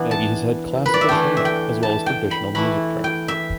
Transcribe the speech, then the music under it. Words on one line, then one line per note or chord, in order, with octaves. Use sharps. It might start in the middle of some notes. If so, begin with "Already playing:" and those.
Maggie has had classical training as well as traditional music training.
Already playing: E3 B3 D4
A5
B4
D5
E5
E3 A3 D4 G5
E5
G5
A5
G5
B5
E3 A3 E4 B5
G5
E5